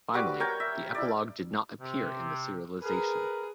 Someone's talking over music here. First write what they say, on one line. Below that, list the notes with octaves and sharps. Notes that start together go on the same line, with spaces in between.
Finally, the epilogue did not appear in the serialisation.
G3 F#4 B4 D6
A#4 C#5 G5
E5
E4 D5
C3
G#4 A#4 B4